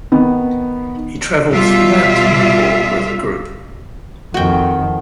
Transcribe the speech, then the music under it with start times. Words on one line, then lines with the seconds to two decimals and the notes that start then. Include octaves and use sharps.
He travelled throughout Nepal with the group.
0.12 D#3 B3
1.53 B2 G3 F4 E5
4.34 F2 D#3 F#4 G5